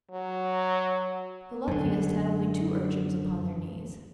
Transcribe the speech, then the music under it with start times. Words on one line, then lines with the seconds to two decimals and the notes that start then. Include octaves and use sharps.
The luckiest had only two urchins upon their knees.
0.11 F#3
1.68 F#2 D3